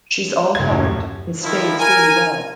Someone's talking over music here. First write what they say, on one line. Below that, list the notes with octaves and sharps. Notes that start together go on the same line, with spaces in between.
She’s all heart and stays really well.
F#1 G#6
D#1 F#2 A2
D#3 F3 E4
A#4 G#5